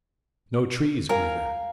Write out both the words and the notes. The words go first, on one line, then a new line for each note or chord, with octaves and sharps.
No trees grew there.
A#4 F5 G#5 A#5